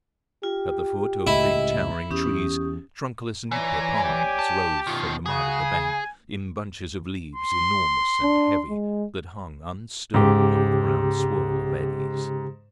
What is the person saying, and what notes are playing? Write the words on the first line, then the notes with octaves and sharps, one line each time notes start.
At the foot of big, towering trees, trunkless nipa palms rose from the mud of the bank, in bunches of leaves enormous and heavy, that hung unstirring over the brown swirl of eddies.
F4 G4
C#2 A2 C#3 E4 D#5
E2 C#4 G4 D#6
E3 C#5 D5 G#5 A#5
G4
A5
B2 D#3 F4
C#3 F#4 G#4
G#5
C6
D4
G#3
G#2 C#3 G4